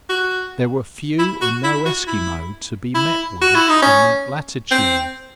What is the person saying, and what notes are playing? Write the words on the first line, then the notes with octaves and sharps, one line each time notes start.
There were few or no Esquimaux to be met with in that latitude.
F#4
E4
F#4
E4
F#4
E4
E4
F#4
E4
D#4
C#4
C4